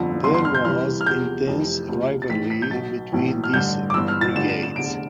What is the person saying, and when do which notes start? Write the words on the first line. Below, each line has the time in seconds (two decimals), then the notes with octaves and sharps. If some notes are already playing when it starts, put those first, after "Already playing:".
There was intense rivalry between these brigades.
Already playing: G1 F2 D3 F3
0.24 G1 F2 D3 F3 C6
0.34 C6
0.45 F6
0.55 G6
0.65 C2 C3 E3 F6
1.01 F6
1.06 E2 C3 F3 G6
1.47 F1 F2 C3 E3
1.89 D2 C3 F3
2.22 A6
2.29 A1 A2 E3 B6
2.50 B6
2.62 G6
2.71 B1 B2 A6
3.12 B1 A2 E3
3.44 F6
3.53 A1 G2 D3 G6
3.90 D6
3.94 G1 G2 E3 E6
4.08 F6
4.21 A6
4.35 A1 G2 D3 F3 E7
4.49 E7
4.63 E7
4.76 F1 E2 D3 D7